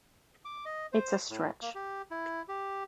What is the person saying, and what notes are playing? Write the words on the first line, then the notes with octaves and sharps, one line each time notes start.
It's a stretch.
D6
D#5
C5
A2
A#3
G4
E4
G4